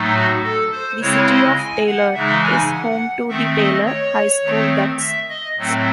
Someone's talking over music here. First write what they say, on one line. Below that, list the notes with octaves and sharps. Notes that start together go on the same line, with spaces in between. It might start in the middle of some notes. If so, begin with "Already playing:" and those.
The City of Taylor is home to the Taylor High School Ducks.
Already playing: A2 F#3 A3 D#4
F#4
A4
C5
C#3 G#3 C4 E4 C#5
D#5
G#5
F#5
C#3 E3 G#3 D#4 E5
G#5
F#5
D#3 A3 C4 E5
D#5
C#5
D#3 A3 C4
E5
D#5
A2 F#3 A3 C4